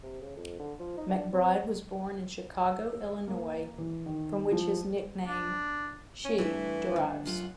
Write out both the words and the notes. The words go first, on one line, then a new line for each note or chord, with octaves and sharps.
McBride was born in Chicago, Illinois, from which his nickname, Chi, derives.
C3
C#3
F2
D3
F3
D#4
D4
C4
E6
A#3
E3
D#3
F3
D4
C#4
G2 E3 A3 E5
D3
F#2 F4 F#5